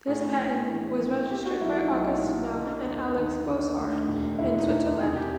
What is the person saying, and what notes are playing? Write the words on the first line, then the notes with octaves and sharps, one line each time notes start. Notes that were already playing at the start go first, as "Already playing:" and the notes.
This patent was registered by August Schnell and Alex Bosshard in Switzerland.
A2 G#4
A#1
E3
A#1
A#2 G4
F#4
B1 E4
D#4
B1 D#4
A#2
D3
D#2
D#2 D#4
D3
D2
E1
D3 E4
D#4
E1
D#4
C3 G#4
G4